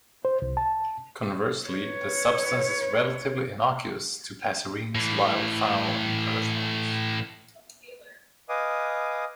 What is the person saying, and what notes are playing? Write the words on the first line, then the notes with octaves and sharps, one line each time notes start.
Conversely, the substance is relatively innocuous to passerines, wildfowl, and earthworms.
C5
C2
A5
B4 C#5
A2 E3
B4 D#5 F5 G#5 D6 D#6